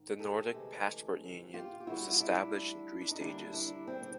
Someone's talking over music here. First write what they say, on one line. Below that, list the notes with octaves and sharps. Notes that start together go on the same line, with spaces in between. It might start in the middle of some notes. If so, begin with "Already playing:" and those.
The Nordic Passport Union was established in three stages.
Already playing: G#2 D#3
G4 A4
D2 C3 E3 G#3
F4 G4
G4
D2 D3 G3 E4 F#4
F4
D4 E4
D4
D#4
D#2 D3 G3 A#3 D4 E4
D4 E4
C4 D4
C4